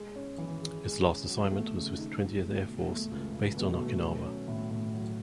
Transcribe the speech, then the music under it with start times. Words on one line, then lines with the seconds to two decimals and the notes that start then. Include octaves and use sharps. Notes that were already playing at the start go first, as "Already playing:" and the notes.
Its last assignment was with Twentieth Air Force, based on Okinawa.
Already playing: G#3
0.16 C#4
0.38 E3
0.61 G#4
0.84 G#3
1.06 C#4
1.29 F#3
1.52 A3
1.75 C#3
1.97 D#4
2.20 F#3
2.43 A3
2.66 B2
2.89 A3
3.11 C#2
3.34 C#2
3.57 B2
3.79 A3
4.02 F#3
4.25 C#4
4.48 A2
4.71 A2
4.94 F#3